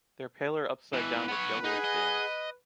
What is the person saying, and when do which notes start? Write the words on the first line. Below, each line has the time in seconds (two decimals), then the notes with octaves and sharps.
They're paler upside down with yellowish veins.
0.93 B2 E3 B4
1.28 B3 C#5
1.64 D#4 G#4 F#5 G#5
1.84 D#5